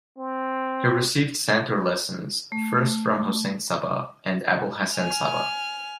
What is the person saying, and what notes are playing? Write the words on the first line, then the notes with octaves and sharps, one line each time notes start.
He received santur lessons first from Hossein Saba and Abolhassan Saba.
C4
A3
G#5 F6